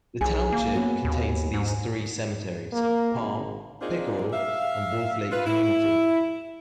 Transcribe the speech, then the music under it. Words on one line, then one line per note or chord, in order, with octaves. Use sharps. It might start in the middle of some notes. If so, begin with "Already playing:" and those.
The township contains these three cemeteries: Palm, Pickerel and Wolf Lake Community.
B1 G#4 G#5
A#3
B3 C#4 F#4
D#2
G#2
A#3
G#1
A#3 C4 D4 D#4 F4 G#4
E5 F5
F4 B4
E4